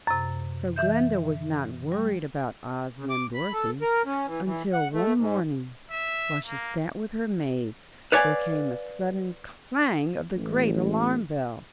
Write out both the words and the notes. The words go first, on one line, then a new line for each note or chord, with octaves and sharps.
So Glinda was not worried about Ozma and Dorothy until one morning, while she sat with her maids, there came a sudden clang of the great alarm bell.
F#2 C3
E3 E5 G6
G3
C#3
D6
B5
A4
A#4
C#4
E3
E3
F#5
A3
G#2
E5
A#3
B4 C#5 D5 F5 G#5
A1